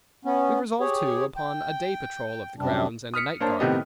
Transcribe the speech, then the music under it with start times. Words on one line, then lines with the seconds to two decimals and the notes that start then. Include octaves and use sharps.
We resolved, too, upon a day patrol of the grounds and a night guard.
0.25 B3 C#4
0.80 G4 G#4 C#5
1.36 G5
2.59 F#2 C3 G3 D4
3.14 D#6 F6 B6 C#7
3.40 A#3 D4 C5 C#5 A5
3.60 A2 C3 D#3 B3 G4 D#5